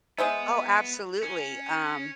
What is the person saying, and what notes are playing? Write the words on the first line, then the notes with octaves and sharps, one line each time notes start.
Oh, absolutely, um
G#3 B3 C5 E5
C#4